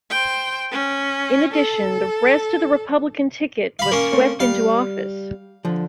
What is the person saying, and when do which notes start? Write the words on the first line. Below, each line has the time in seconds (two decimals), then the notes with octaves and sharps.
In addition, the rest of the Republican ticket was swept into office.
0.10 C5 G5
0.72 C#4
1.54 A4
3.79 F5 B5
3.92 A#3 C#4
4.12 A3 C4 C#5
4.40 G3 F5
5.65 D3 F3